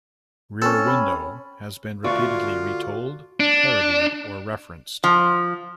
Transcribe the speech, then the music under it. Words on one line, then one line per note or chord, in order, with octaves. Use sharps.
"Rear Window" has been repeatedly re-told, parodied, or referenced.
C4 C#4 A4
B5
D2 F4 F#4 D5
D4
F3